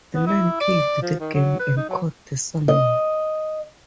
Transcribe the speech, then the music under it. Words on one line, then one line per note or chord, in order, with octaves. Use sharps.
The men killed the game and caught the salmon.
B3
E4
D5
F3
D#3
F#3
B4
D#4
F#3
D#5